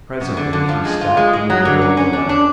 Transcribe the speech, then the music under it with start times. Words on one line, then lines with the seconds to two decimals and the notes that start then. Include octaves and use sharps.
Presently he stopped in the middle of a letter.
0.21 F#2
0.37 D3
0.53 D3
0.69 F3
0.85 G#3
1.01 F4
1.17 G#3
1.33 G#3
1.50 F#3
1.65 D3
1.81 C#4
1.97 C#4
2.13 D4
2.29 D4